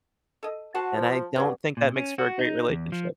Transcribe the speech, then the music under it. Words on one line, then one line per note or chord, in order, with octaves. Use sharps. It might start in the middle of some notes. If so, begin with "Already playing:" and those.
and I don't think that makes for a great relationship.
A4 D#5
F#4 C5 F#5 A5
F3
G2 C#4 D4 F#4
A#2
C#4
F#4
D#4
E2
F3